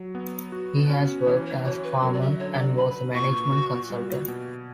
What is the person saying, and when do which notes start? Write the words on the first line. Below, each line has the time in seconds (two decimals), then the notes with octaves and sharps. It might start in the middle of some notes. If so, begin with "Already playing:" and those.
He has worked as a farmer, and was a management consultant.
Already playing: F#3
0.15 B3
0.52 F#4
0.90 C#4
1.27 E3 C#5
1.46 C#5
1.65 F#4 C#5
1.84 B4
2.02 F#3 A#4
2.13 D5
2.21 E5
2.40 D3 C#5
2.58 D5
2.77 B4 B5
3.14 A#2 C#6
3.53 F#4
3.90 G3
4.28 B2